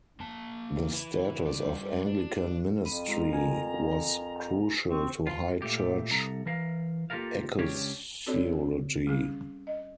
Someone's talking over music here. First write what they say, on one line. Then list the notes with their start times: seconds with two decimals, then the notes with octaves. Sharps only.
The status of Anglican ministry was crucial to high church ecclesiology.
0.20 A#3 A5
0.91 E3
1.45 G2 D5
2.06 D4
2.85 F2 B5 D#7
3.08 G#3 F4 A#5
3.32 F4 A#4 G#5
4.89 C4 C#6
5.27 F4
5.62 A#2 A3 G4
6.11 C2 A4 A#5
6.46 E3 A#4 F5
7.10 A#3 F4 G4 A4 A#4 F5
7.58 C#2 C#4 D4 G4 C#5
8.26 C4 D4 F#4 A4 C#5 D5
9.07 G3 C#4 G#4
9.67 D#5